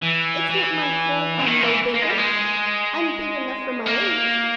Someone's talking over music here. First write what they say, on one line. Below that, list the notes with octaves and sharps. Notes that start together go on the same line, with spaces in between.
"It's not my fault I'm no bigger. I'm big enough for my age."
E3
E3
C#3
D#3
E3
A#3
G#3
G3
G#3
A#3